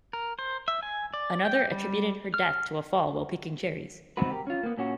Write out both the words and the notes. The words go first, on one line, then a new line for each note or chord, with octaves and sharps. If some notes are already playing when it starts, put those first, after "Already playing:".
Another attributed her death to a fall while picking cherries.
A#4
C5
E5
G#5
D5
G5
G3
F6
E2 C3 C4 D#4 F#4 B4
G4 A#4
C#4 F4
A#3 B3
A#2 C#4 F#4